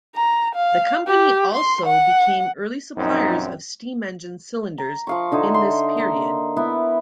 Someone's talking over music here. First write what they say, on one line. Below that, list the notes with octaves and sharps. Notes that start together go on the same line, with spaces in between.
The Company also became early suppliers of steam engine cylinders in this period.
A#5
F5
G4
C6
F#5
A#1 F#2 C4 D#4
A#5
F3 F5 C#6
D3 D#4 E5 G#5
C6
A#3 C6
B3 E4 B4